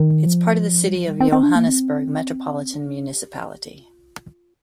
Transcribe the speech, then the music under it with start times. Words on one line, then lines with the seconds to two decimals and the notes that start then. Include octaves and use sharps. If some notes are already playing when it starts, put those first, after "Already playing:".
It is part of the City of Johannesburg Metropolitan Municipality.
Already playing: D#3
0.26 F3
0.87 G3
0.96 F3
1.08 G3
1.20 C4
1.32 C4
1.43 D4
1.55 A#3
1.67 C4
2.74 D4
3.09 G4
3.80 F4